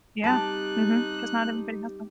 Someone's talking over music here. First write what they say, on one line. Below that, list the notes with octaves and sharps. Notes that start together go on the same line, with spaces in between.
Yeah, mhm, 'cause not everybody has one.
G3 C4 D#4 G4 A5 F#6